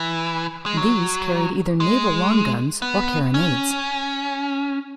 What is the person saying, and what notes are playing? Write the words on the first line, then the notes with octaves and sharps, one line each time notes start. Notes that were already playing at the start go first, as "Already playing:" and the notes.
These carried either naval long guns or carronades.
Already playing: E3
G#3
F#3
G#3
B3
C#4